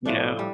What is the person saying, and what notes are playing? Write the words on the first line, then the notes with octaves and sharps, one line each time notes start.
You know?
A2 F3 A3 D4
G3